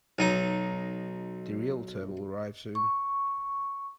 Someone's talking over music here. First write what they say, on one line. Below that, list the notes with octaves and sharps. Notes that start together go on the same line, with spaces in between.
The Realtor will arrive soon.
B1 D#4 A#5
C#6